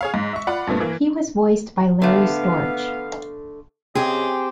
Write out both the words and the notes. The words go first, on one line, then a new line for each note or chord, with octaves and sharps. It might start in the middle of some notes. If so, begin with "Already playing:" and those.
He was voiced by Larry Storch.
G#4 C#5 F5
G#2
E5 C#6
F4 D5 F#5 B5
G2 A#2 A3 B3
E3 A#3
D3 A3 B3 F5
C#3 C4 G4 G#4 D#5